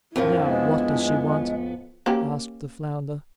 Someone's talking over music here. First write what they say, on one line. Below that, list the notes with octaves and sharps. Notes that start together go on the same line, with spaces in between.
"Now, what does she want?" asked the flounder.
F2 A2 F3 D4 E4 A#4
G#3 B3
A#3 C#4 G4